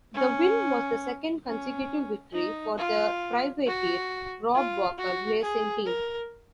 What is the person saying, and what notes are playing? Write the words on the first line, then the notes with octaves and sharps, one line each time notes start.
The win was the second consecutive victory for the privateer Rob Walker Racing Team.
C#4
C#4
D#4
F4
F#4
F4
F#4
G#4
A#4